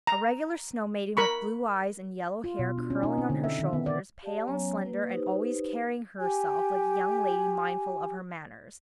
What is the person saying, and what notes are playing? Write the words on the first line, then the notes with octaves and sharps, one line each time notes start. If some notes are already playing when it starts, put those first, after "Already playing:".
A regular snow maiden, with blue eyes, and yellow hair curling on her shoulders, pale and slender, and always carrying herself like a young lady mindful of her manners.
A#5
A#4 B5 C#6
F4
B2
D4
C#4
D#4
C4
D3
E5
D#3
B3
D5
G4 D5 F5 A5
F#3 B3 C#4 C#5 G#5 A#5
A#3 B4
D#4 G4 B4 C5
G4 G#5